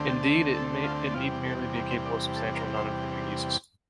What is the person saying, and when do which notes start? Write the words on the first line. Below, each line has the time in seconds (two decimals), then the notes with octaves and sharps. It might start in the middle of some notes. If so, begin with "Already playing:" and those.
Indeed, it need merely be capable of substantial noninfringing uses.
Already playing: D2 D3 A3 C4
0.08 G4
0.23 A4
0.54 A4
0.84 F4
1.14 E2 C3 G3 F4
1.45 A4
1.75 A#4
1.91 C5
2.06 D5
2.36 A4
2.56 A#4
2.76 C5